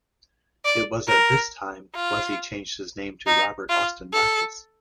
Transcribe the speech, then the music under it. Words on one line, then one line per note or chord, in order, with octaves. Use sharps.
It was at this time was he changed his name to Robert Austin Markus.
D5
A#4
F4
D#4
F4
A4